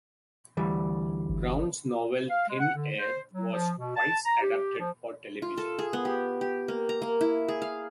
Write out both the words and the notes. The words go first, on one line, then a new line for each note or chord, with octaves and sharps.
Browne's novel "Thin Air" was twice adapted for television.
D2 E3 G3
G1
F5
G#3
F#5
D3
C5
F#3
F3
B2
A5
A#5
G4
F3
F4
A4
G#4
B3
G4
G4
A#3
A#5
A#3
E4
G#4
F5